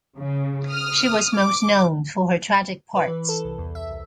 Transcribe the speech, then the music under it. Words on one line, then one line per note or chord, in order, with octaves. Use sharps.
She was most known for her tragic parts.
C#3
D#6 F6
D6
B4
E3
A4
C2
E2
E5
C2